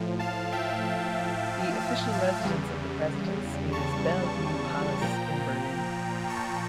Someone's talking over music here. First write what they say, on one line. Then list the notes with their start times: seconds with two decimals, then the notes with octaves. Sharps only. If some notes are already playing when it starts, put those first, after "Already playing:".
The official residence of the President is Bellevue Palace in Berlin.
Already playing: A2 F3
0.19 F5 A5
0.52 E5 G5
1.80 F5 A5
2.12 F5 A5
2.44 E2 C#3 G3
3.73 A5 C#6
5.01 A#2 F3 G5 A#5
6.30 A5 C#6